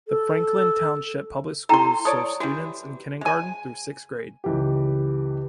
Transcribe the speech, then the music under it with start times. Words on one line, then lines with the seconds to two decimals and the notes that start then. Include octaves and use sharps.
The Franklin Township Public Schools serve students in kindergarten through sixth grade.
0.08 A4
1.69 E4 A4 G5 A#5 C6
2.05 A4 C#5 D5 D#6
2.40 E3 G3 F#4
3.21 G#3 G#5
4.44 C#2 E3 G4